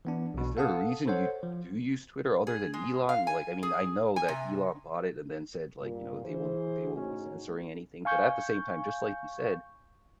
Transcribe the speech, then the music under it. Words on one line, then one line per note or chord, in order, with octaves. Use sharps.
is there a reason you do use Twitter other than Elon? Like, I mean, I know that Elon bought it and then said, like, you know, they won't they won't be censoring anything, but at the same time, just like you said,
E3 B3 D4
B1 B2
A4 F5 F#5 A5 D#6
A4 C5 C#5 F#5
F3
G#4
G#3
F5
G#5
G#4
G#5
C3
G2 A#2
E3 G#4 C5
A2 C#3 C#4 D#4 F#4
F5 G#5 C#6 G6